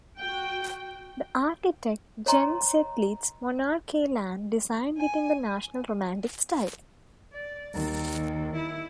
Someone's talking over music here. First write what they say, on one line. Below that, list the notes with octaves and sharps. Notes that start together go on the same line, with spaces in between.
The architect, Jens Zetlitz Monrad Kielland, designed it in the National Romantic style.
F#4 G5
C#5 D#5 A#5 C6
G#5
D5
D#2
E4